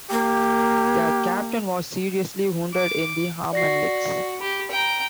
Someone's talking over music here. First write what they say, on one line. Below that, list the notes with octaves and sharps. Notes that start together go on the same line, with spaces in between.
The captain was seriously wounded in the arm and legs.
A#3 G4
D6
F#4 D5 A#6 C7
G4 B5
G5 A#5